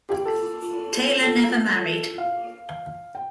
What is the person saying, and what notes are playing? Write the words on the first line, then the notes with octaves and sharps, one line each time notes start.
Taylor never married.
G4
A4
A4
F5
G5